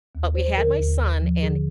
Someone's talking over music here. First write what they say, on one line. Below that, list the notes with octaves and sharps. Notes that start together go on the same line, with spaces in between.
But we had my son, and
D#2
F3 C5
D3 A#4
D#2
D#2
F3
D3 G#4